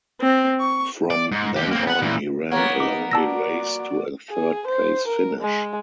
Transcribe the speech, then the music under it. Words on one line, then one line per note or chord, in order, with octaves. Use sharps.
From then on, he ran a lonely race to a third-place finish.
C4
C#6
D5
G#2
D#2 G4
A#3 C4
B3 F#5
A#2 E3
A#3 B3 C#5 F#5
D#4 D6
F#4 D5 A5 E6 A#6
G#4
C5
A#4
G#3